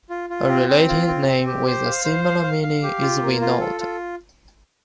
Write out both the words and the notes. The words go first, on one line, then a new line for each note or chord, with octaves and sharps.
A related name with a similar meaning is Vinod.
F4
F4
C4
C4
F4
C4
C4
G4
C5
F5
C5
F5
F5
F5
G4
F4
A#3
F4
A4
F4